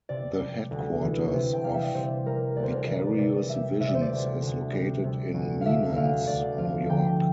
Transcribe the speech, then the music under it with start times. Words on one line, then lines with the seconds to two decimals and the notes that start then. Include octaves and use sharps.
The headquarters of Vicarious Visions is located in Menands, New York.
0.09 C3 D5
0.40 G3
0.71 D2
1.02 E3
1.33 C3
1.53 G5
1.64 G3 F5
1.74 E5
1.84 D5
1.95 C3 C5
2.26 G3 A#4
2.56 D2 D5
2.63 C5
2.70 A#4
2.77 C5
2.87 E3 D5
3.18 C3 D5
3.49 G3 E5
3.80 C3 E5
3.87 D5
3.95 C5
4.01 D5
4.12 D2
4.42 D2
4.73 G3
5.04 C3
5.34 D2
5.61 D3 E5 F5
5.96 D2 F5
6.27 D2 D5
6.58 F3 F5
6.89 D3 G5